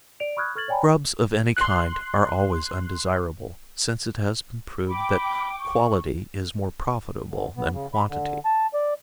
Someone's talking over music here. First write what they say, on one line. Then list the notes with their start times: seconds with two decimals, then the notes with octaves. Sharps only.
Scrubs of any kind are always undesirable, since it has been proved that quality is more profitable than quantity.
0.20 D5 D7 F7
0.37 B5 C#6 D#6 F6 F#6 G#6
0.55 A4 C#6 F6 G#6 A6 F#7
0.68 C#5 D5 G5 G#5 A#5 B5
1.57 C6 F#6
4.88 G5 B5 D6
5.60 C#6
7.30 D3
7.57 B3
7.73 C#3
7.94 B5
8.09 D3
8.45 A5
8.74 D5